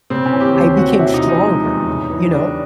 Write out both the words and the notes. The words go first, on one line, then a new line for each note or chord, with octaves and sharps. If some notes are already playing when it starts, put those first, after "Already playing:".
I became stronger, you know.
C#3 C4
C#4
E3
G4
D#2 G4
D#2 F#4
C3 E4
D#4
F3
D#4
G#3
E2
C#3
E3
G3 D4